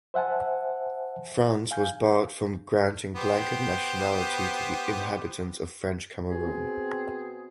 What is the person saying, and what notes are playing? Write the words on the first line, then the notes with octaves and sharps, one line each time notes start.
France was barred from granting blanket nationality to the inhabitants of French Cameroun.
C5 E5 F#5 G#5 A5
F5 G#5 G6
B3 G4 C5
B2 C4 G#4